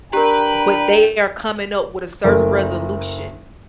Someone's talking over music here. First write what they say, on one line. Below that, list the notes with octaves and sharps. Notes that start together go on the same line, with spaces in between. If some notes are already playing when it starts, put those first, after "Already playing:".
but they are coming up with a certain resolution
D4 G4 A#4 B4 G5 A#5
F#1 A3 A#4